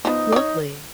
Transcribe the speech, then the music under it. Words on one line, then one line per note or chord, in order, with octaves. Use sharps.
That's lovely.
F3 B3 D#4
C#5 D5